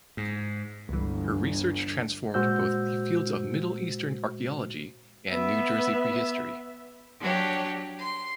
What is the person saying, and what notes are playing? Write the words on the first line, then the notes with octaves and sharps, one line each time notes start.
Her research transformed both the fields of Middle Eastern archaeology and New Jersey prehistory.
G#2
G1 C#2 E3
A#2 G#3 F#4 C5 E6 G6
B3 E5
F#3 D4 G4 C#5
C6